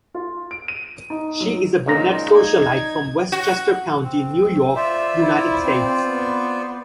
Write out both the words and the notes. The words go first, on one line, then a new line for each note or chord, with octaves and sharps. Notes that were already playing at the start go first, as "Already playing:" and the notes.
She is a brunette socialite from Westchester County, New York, United States.
F4
D7
D#7
D#4
F#3
C#2 A#2 A#3 D#4 A#5
D5 G#6
F#4
C4
F4 C5 D5 E5
E4
C4
B3